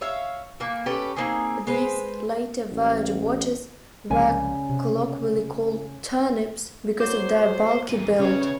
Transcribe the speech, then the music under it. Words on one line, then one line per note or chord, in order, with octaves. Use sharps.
These later verge watches were colloquially called 'turnips' because of their bulky build.
C#5 E5 F5
E3 A#3
C#4 G4 A4 B4
A#3 C4 D#4 G#4
G#3 B4 C5
A1
C2 C#3 F3 G#3 D5 G#5
C3
F#3 C5 D6 G6
G#2 E3 D#7
E2 C#3 C#4 C#5